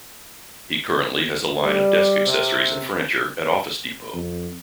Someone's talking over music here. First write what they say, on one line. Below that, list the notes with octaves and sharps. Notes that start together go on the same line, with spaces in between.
He currently has a line of desk accessories and furniture at Office Depot.
G3
C3
F2